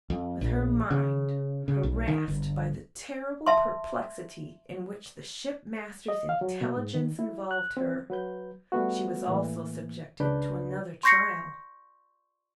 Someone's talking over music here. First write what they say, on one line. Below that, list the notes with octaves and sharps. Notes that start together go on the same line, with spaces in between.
With her mind harassed by the terrible perplexity in which the shipmaster's intelligence involved her, she was also subjected to another trial.
F2
A#1
C#3
C#3
B1
D#3
G1
E5 A5 C6
D#5
F5
F#3
B2
G#2
D#3
E4
F#6
C4
F#3 B4 G6
G3 A3 B3 F#4
A2 E3 A#3
C#2 C#3 D4 B4 G6
C6 C#6 G6 A#6 C7 C#7